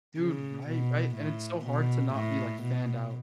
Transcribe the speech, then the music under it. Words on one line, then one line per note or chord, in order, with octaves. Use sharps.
Dude, right, right, and it's so hard to not be, like, fanned out.
C#3
B2
A2
B2
A2
B2